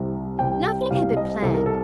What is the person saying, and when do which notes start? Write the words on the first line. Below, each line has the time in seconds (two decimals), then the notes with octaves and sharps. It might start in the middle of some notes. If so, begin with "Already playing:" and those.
Nothing had been planned.
Already playing: C2 C3 G3
0.39 C2 C3 G3 G5
0.90 C2 C3 G3 F5
1.17 D#5
1.42 C2 C3 G3 A4
1.54 A#4
1.66 A4